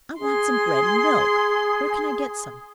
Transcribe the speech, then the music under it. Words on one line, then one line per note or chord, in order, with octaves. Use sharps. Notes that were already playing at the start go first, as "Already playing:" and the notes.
"I want some bread and milk. Where can I get some?"
G#4 C6